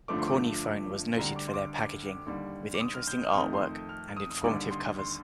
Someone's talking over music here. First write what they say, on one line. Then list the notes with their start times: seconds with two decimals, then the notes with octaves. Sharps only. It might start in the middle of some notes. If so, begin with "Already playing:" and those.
Kornyfone was noted for their packaging, with interesting artwork and informative covers.
0.08 G2 D3 F3 A3 D6
0.18 C6
0.28 D6
1.17 D2 D3 G3 A#5
1.36 D6
1.48 C6
1.54 D6
2.27 D#2 D3 G3
2.74 D6
2.81 D#6
2.94 F6
3.07 G6
3.22 F6
3.34 F2 D#3 A3 D#6
3.53 C6
3.89 F6
4.17 D#6
4.30 D#6
4.44 D#2 D3 G3 D6
4.71 C6
4.98 C6